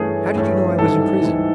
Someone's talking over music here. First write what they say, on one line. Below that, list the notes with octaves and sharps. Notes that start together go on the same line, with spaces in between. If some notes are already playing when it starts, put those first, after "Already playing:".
"How did you know I was in prison?"
Already playing: G2 E3 A3 C#4 G#4
G2 E3 A3 C#4
G#2 E3 G3 A4
G#2 E3 G3